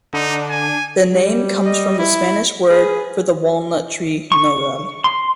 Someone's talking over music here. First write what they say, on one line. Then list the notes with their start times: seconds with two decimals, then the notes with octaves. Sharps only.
The name comes from the Spanish word for the walnut tree, "nogal".
0.13 D3 D4 D#4
0.49 G#5
1.12 G3
1.65 D#5
1.98 E4
2.70 G#4 B4
4.32 C#6
5.04 C6